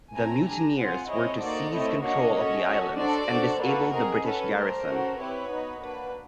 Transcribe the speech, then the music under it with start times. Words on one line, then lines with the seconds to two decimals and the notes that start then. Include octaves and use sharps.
The mutineers were to seize control of the islands and disable the British garrison.
0.14 A3 C4 E4 A4 G#5 A#5
0.45 D4 G4 G#5 A#5
0.77 C4 F4 G#4 F#5 G#5
1.08 C4 E4 G#4 C#5 D#5
1.40 A#3 D#4 F#4 A4 C5 D5
1.71 A3 C4 E4 C#5 D#5
2.03 A#3 D4 F#4 C#5 D#5
2.34 C#4 F#4 A4
2.66 C#4 F#4 A4
2.97 D4 F#4 A4 C5 D5
3.28 D4 F#4 A4
3.60 A#3 D4 F#4 A4 B4
3.91 C4 D#4 G#4 A#4
4.23 C#4 F#4 A4 B4
4.55 A3 D4 G4 A#4 C5
4.86 C#4 F#4 A4
5.17 C4 E4 G4 B4 C#5
5.49 B3 D#4 F#4
5.81 A#3 D4 F#4 B4